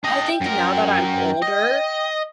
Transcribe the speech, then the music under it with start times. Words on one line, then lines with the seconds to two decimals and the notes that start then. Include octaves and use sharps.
I think now that I'm older,
0.04 D4 D#5 G5
0.41 F#2 A#4
1.42 D#5